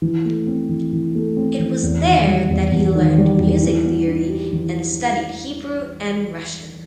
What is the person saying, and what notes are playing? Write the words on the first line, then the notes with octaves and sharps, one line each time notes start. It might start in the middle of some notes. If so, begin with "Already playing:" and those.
It was there that he learned music theory and studied Hebrew and Russian.
E3
A3
C4
E3
E3
A3
C4
E3
E2
D#3
G3
E2
E2
D#3
G3
E2
E3
B3
D#4
G4
E3